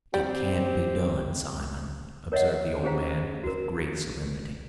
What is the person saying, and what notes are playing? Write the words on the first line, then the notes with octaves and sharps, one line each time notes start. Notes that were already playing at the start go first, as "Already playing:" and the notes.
"It can't be done, Simon," observed the old man, with great solemnity.
G3 C4 G4
A#4 C#5 D#5 E5 F#5
C#4 G4 G#4 C5 F5 A#5
F#4 A#4